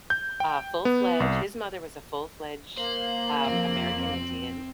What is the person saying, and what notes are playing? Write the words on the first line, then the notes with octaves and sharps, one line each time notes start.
a full-fledged his mother was a full-fledged, um, American Indian,
G6
G5
B3
C2
A#3 C5 F#7
F2 C4